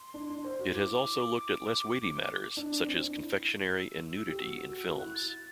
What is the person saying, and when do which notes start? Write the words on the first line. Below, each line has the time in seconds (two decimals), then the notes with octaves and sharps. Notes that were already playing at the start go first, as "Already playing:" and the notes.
It has also looked at less-weighty matters such as confectionery and nudity in films.
Already playing: C6
0.14 D4
0.29 D4
0.44 C5
0.59 F#4
0.74 E4 D6
2.57 D4
2.71 D4
2.87 C4
3.02 D4
3.17 E4
3.78 E6
4.27 G4
4.39 F#4
4.69 F#4
4.87 F#4
4.99 E4 F#6
5.15 A6
5.30 A6